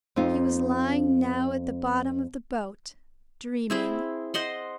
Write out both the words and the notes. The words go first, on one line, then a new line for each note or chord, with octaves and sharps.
He was lying now at the bottom of the boat, dreaming.
F2 C4 D#4 F4
C4 E4 G#4
C5 D#5 F#5 C6